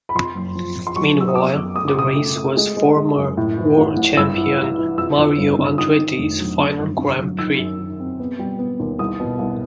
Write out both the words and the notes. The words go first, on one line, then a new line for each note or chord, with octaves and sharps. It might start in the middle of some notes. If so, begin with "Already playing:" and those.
Meanwhile, the race was former world champion Mario Andretti's final grand prix.
B5
F2 C6
F#1
F3
F3
C6
F#3 C#6
F#3
E6
D#6
B3 D6
F#2
A3 D#6
D6
C#3 D#6
A3
A3
G#3
G#3
G#3
F#2
A2
E3
A1
A1
G2 E6
E3
E3
E3
F2 E6
F2
G1
D3
D#3 D#6
D#3
F1
F#3
D3
G1
D3
F#3
D#3 E6
F#2
D#3
C4
B3
G3
B3
D#2
C2 D#6
B2
C2